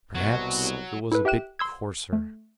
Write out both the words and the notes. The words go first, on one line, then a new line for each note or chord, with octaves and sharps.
Perhaps it was a bit coarser.
C2 B2 F#3 F#4
E4 A4 B4
G4 E5 G5 F#6 E7
C6 E6 G#6
A3